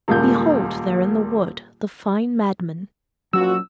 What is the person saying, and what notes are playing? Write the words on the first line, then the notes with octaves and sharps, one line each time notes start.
Behold there in the wood the fine madman!
D#1 C#2 A#2 G6
A#2 F3 F#3 C#4 F#4 E6